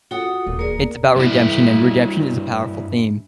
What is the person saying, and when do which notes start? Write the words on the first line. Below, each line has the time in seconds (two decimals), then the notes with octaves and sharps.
It's about redemption, and redemption is a powerful theme.
0.11 F4 F#4 A4 F#5 D#6
0.46 D#1 E2 A#2
0.59 A#3 G#4 A#4 D5
1.16 G2 E4